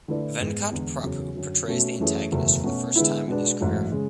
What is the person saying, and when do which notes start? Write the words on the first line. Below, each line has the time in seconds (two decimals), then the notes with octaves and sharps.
Venkat Prabhu portrays the antagonist for the first time in his career.
0.08 D3 A3 E4 B4 D5
0.40 G#2 G#3 B3
0.71 E2 D3 G#3
1.03 E2 C#3 F#3 C#4
1.35 F#2 D3 F#3 C#4 F#4
1.68 B2 A3 C#4 F#4
2.00 F#2 E3 A3 C#4 G#4
2.32 F#1 E2 B2 A3
2.64 B2 A3 C#4 F#4
2.96 D3 G#3 B3 E4
3.28 B2 G#3 B3 D4
3.60 A1 G#2 F#3 A3
3.92 C#3 G#3